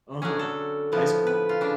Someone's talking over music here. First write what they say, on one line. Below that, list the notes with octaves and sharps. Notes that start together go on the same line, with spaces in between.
Uh-huh. High school?
D3 F#3 C#4 G#4
A4
A2 F3 B3
B4
F4
C#3 D4